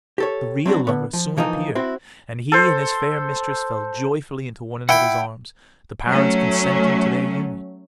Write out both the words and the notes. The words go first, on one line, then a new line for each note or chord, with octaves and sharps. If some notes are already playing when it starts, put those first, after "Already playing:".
The real lover soon appeared, and he and his fair mistress fell joyfully into one another's arms, the parents consenting to their union.
G4 A4 C#5
F#3 C4 D4 F#4
D3 B3
F3
E3 F3 A#3 D#4
C4 E4 F#4
A4 C5
E4 F#5 G5 B5
F#3 A3 C#4